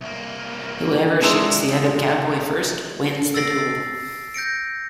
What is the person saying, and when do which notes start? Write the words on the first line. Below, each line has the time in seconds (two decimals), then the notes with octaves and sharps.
Whoever shoots the other cowboy first wins the duel.
0.01 C2 A#3
1.21 C3 G#3 D4 A#5 C6 E6
3.34 E6 A6 A#6 C7 D7
4.34 G6 A#6 C#7 D7